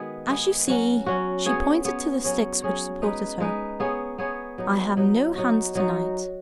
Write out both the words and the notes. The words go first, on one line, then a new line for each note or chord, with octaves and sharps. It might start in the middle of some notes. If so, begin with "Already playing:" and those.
As you see"--she pointed to the sticks which supported her--"I have no hands to-night.
Already playing: D#3 G#3 B3 F#4 G#4 B4
G#3 B3 G#4 B4
F#3 C#4 F#4
F#3 C#4 F#4
B3 G#4 C#5
B3 G#4 C#5
F#3 C#4 G#4 C#5
F#3 C#4 G#4 C#5
G#3 D#4 B4
G#3 D#4 B4
B3 G#4 C#5
B3 G#4 C#5
F#3 D#4 B4
F#3 D#4 B4
F#3 D#4 F#4
F#3 D#4 F#4